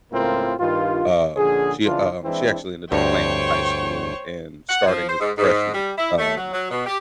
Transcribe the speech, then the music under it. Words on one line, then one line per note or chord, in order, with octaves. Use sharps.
um, she um, she actually ended up playing in high school and starting as a freshman, um
C#2 A2 A#3 C4 F4 A#4
G2 D#3 F4
A#1 D3 C#4 G#4
C#3 E3 D4 F4
E3 G#3 C4 D4 E4
D2 G2 C5 C#5 G5 C#6
F#5
F3
C5
G#2
G#2
G3
E4
A3
F#3
F#3
B2
G4